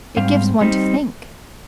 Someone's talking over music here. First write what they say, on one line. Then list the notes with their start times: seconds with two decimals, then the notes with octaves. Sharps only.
It gives one to think.
0.17 G#2 G3 C4 F5
0.61 G3 C4 D#4